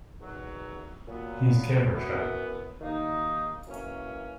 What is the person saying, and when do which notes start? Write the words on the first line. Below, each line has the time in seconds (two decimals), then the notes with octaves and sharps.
He's camera shy.
0.21 E2 D#3 F#3
1.08 A#2 F#3 B3
1.94 F#2 E3 B3
2.81 D#2 D#3 A#3 D#4
3.67 F#2 E3 A#3 C#4